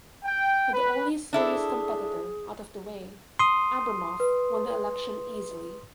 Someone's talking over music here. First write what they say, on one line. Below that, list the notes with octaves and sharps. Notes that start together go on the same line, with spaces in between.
With the only serious competitor out of the way, Abramoff won the election easily.
G5
B4
D4 E4 G#4 A4
C6 D#6
B4